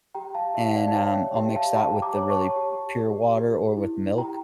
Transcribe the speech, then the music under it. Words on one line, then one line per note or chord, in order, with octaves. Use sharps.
And, um, I'll mix that with the really pure water or with milk,
G4 G5 A#5
F5 A5
G4 E5 G5
D5 F5
A5
C#5 E5 G5
G4 E5 G5
F5 A5
G4 G5 A#5
A#5 D6
C#5
A5 C#6
G4
G4
G4
E4
G4 G5 A#5